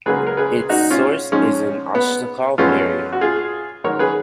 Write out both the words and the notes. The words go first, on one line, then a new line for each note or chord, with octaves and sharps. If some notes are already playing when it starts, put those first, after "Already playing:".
Its source is in Ostashkov area.
C#2 C#3 F#3 A#3 G#4 B4
A#4
G#4 B4
D#4 F#4
C#4 F4
G#2 F3 G#3 C#4
B3
F#2 F3 G#3 B3 C#4 F4
F#4
F4 G#4
G#2 D#3 F#3 A#4 C#5
G#4 B4